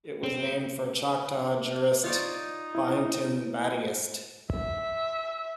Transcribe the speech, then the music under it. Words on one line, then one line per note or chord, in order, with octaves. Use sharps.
It was named for Choctaw jurist Byington Battiest.
C4
D#4 F4 C#5 D5
E4
E5